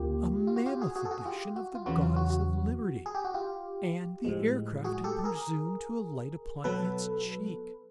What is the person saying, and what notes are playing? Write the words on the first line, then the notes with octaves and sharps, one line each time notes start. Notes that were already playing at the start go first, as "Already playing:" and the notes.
A mammoth edition of the Goddess of Liberty; and the aircraft had presumed to alight upon its cheek!
Already playing: D2 C#3 A#3 F4 G4
F4
F#4
F4 G4
F#4 G#4
F#4 G#4
A4
F#4 G#4
F4 G4
F#4
F4
E2 C#3 F#3 B3 F#4
F4
F#4
F#4
G#4
G4
F#4
F4 G4
A2 F3 G#3
F#4 G#4
G4 A4
G#4 A#4
B2 F#3 B3 A4 B4